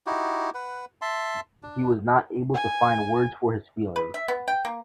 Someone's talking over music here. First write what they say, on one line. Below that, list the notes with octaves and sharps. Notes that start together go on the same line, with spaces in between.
He was not able to find words for his feelings.
D#4 E4 F#4 G4
B4 F#5
E5 A5 C6
D4
G#5
B4
E5
B3
G5
A#3